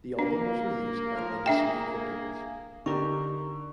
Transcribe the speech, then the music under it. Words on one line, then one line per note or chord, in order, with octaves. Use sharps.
The album was released by Legacy Recordings.
A#3 D4
F3 A#4
A#3 D4 G#4 E5 G5
D3 D#4 G4 A#4 C#6